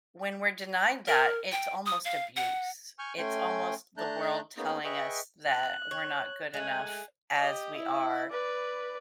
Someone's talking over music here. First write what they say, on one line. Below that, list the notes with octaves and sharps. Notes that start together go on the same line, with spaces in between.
When we're denied that, it's almost abuse. It's almost the world telling us that we're not good enough as we are,
A#4
G5
D#6
F5
F#5
G#5 C#6 F6 G6
A3 C#4 G5 G#5 C6
A3 D4 A5 A#5 F#6 G6
A#3 B3 C#4 D#4 G#4
G#4 B4 D#5 E5 G5 C#6
F#6
C#5
G#3 A3 G#5 F#6
G4 D#5
E4
B4 D5